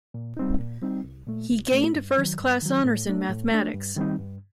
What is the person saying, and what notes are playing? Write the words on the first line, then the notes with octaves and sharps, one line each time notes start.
He gained a First Class Honours in Mathematics.
A#2
G3 C4 D#4
A#2
G3 C4 D#4
C2
A#2 A3
C2
A#2 A3
G2
D#3 F#3
G2
D#3 F#3
A2
A3 D4
A2
A3 D4
G2
D#3 G3 C4 D#4
G2